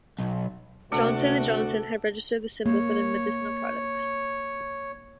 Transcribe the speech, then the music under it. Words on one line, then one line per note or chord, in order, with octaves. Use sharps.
Johnson and Johnson had registered the symbol for their medicinal products.
B1
D2 C3 F#4 A4 D5
A#3 C#5